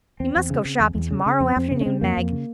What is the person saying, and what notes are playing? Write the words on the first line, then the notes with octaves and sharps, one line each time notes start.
We must go shopping tomorrow afternoon, Meg.
E2 C4
E2
C#3
C#3
E2
E2
C#3
C#3
F2 C4
F2 C4
C#3 C4
C#4
C#3 C4
F2 A#3
F2
C#3